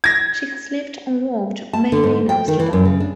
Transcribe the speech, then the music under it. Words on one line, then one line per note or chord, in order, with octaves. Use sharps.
She has lived and worked mainly in Amsterdam.
G#6 A#6
A5
D3
G#2
G5
D#3
E3
F#2
C#3
D4